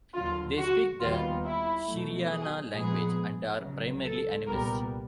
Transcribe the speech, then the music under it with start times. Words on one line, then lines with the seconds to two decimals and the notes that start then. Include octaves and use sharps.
They speak the Shiriana language, and are primarily animists.
0.14 D#2 D3 F#3 F4
0.58 F#4
1.01 D#2 D#3 G3 B3 F4
1.45 E4
1.88 B2 F#3 A3
2.31 G#4
2.74 A#2 F3 G#3 B3 G#4
3.61 C#2 C#3 F#3
4.04 A4
4.47 C2 A#2 G3 B3 A#4